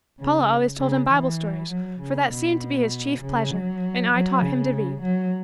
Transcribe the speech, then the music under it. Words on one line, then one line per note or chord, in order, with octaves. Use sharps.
Paula always told him Bible stories, for that seemed to be his chief pleasure, and I taught him to read.
C#3
C#3
E3
F#3
C#3
B2
C#3
F#3
F#3
C#3
F#3